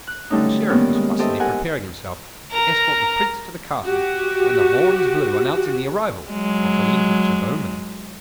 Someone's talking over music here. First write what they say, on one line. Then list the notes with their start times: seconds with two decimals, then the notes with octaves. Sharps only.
The Sheriff was fussily preparing himself to escort the Prince to the castle when the horns blew announcing the arrival of the Lincolnshire bowmen.
0.07 F#6
0.30 D3 F#3 G3 A3 C#4 D#4
0.69 D#3 G3 A#3 B3 C#4
0.95 G#3
1.19 G4 A4 C5 D#5 E5
1.40 A#4 F#5 G#5
2.51 A#4 A#5
3.86 F#4 G4
6.30 F#3 G#3